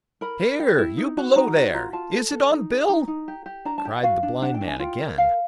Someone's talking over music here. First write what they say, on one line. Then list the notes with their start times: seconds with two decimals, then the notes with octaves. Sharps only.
"Here, you below there, is it on Bill?" cried the blind man again.
0.21 A#4 B5
0.40 A#4
0.60 G4
0.78 E4
0.97 D#4
1.17 F#4
1.36 D#4 A#5
1.56 F#4
1.74 F4 A#5
1.93 F4 A5
2.12 A4
2.32 A4
2.51 D#4
2.70 G#4
2.89 D#4 A#5
3.08 D#4
3.28 G4
3.46 G4
3.65 D4 A#5
3.78 A5
3.85 G4
3.91 E5
4.03 F#4 F5
4.23 D4
4.42 D4 F#5
4.54 G5
4.61 D4
4.68 G#5
4.79 F4 G5
4.99 A#4
5.18 A#4 F5